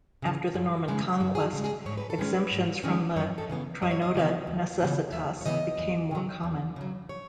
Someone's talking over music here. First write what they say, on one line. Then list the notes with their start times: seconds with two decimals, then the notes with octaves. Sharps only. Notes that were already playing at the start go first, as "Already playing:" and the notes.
After the Norman Conquest, exemptions from the "trinoda necessitas" became more common.
0.22 C#3 E3
0.54 F#2
0.88 C#3 G#3
1.20 F#2 F#4
1.35 G#4
1.42 F#4
1.53 C#3 G#3
1.64 G#4
1.86 G#2 C#5
1.97 B4
2.10 A4
2.18 D#3 G#3 C#4 B4
2.51 G#2
2.83 D#3 G#3 C#4
3.16 F#2 C#5
3.38 A4
3.49 C#3 E3 B3
3.82 F#2 D#5
3.91 C#5
4.02 D#5
4.15 C#3 E3 B3
4.47 D#2
4.80 C#3 E3 B3
5.12 D#2 E5
5.41 C#5
5.45 C#3 E3 B3 D#5
5.78 E2
6.11 C#3 F#3
6.44 E2
6.76 C#3 F#3
7.09 C#5